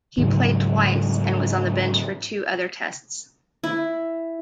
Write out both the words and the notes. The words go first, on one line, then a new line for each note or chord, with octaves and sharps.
He played twice, and was on the bench for two other Tests.
G#2 C#3 E3 F#3
E4